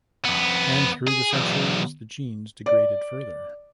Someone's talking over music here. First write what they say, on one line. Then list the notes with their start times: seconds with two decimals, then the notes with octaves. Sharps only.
And through the centuries, the genes degraded further.
0.25 F2 B3
1.08 G#4
1.34 B1 E2
2.66 D5